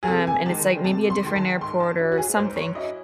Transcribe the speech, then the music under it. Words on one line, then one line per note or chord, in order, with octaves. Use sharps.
um, and it's like maybe a different airport or something,
G#4
C3 A4
G#5
D#3 G#3 A5
C3 A5
C6
D#3 G#3 C6
A5
G#2 C6
A5
F#3 C#4 E4
F#4
G#4
G#2 C5
C#5
F#3 C#4 E4 D#5